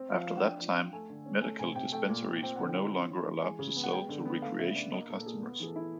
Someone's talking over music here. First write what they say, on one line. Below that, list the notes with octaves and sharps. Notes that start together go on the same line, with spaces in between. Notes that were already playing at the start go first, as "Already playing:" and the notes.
After that time, medical dispensaries were no longer allowed to sell to recreational customers.
Already playing: C4
F3
F5
F3
F#5
D4 G5
F3
F4
A3 G#5
D3
C#4
A3 G#5
C3 G#5
C3 G5
A3 G5
A#2
A#2
C4 G5
D3 F#5
G5
E4
C#4 G#5
E3
E3
G#3 G#5
C#3
B3
F#5
G#3 G5
D3
B3
A3 F5
C#3 E5
D4 D5
A#3 D#5
A#2 A4
A4
A#2 G#4
B3
E3 G#4
A4
E4